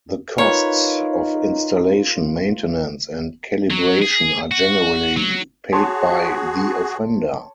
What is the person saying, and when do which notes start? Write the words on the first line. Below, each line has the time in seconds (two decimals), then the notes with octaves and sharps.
The costs of installation, maintenance, and calibration are generally paid by the offender.
0.38 D#4 F4 A#4 B4 C#5
3.70 F#3
4.02 G#4
4.51 F#4
5.17 F#3
5.72 F#4 G#4 C#5 A5 C6